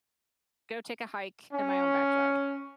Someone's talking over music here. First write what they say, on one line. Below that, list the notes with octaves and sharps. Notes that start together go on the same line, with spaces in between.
Go take a hike in my own backyard.
C#4